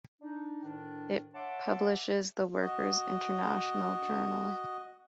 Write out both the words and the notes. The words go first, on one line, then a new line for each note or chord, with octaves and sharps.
It publishes the "Workers International Journal".
D4 D#4
D2 A2 D#3 D4
C#5 E5 F#5 A5 C6 D6
F#4 D#5